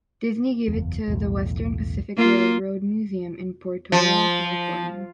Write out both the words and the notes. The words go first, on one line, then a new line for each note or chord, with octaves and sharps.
Disney gave it to the Western Pacific Railroad Museum in Portola, California.
F#1 E2
B1 E2 A2
A#3 F4
F3